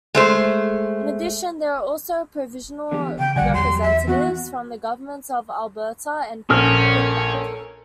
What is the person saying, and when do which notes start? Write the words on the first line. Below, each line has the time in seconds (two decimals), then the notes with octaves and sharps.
In addition, there are also provincial representatives from the Governments of Alberta and Quebec.
0.15 G#3 A3 C5
2.91 D3 E3 B3 G4
3.19 C#3 G5
3.36 A#1 D3 G3 D5 F#5 G#5
3.54 E2 F#3 G4 C6
3.82 E5
4.07 E3 B3 F#4
6.50 A#1 C#4 A4 A#4 F6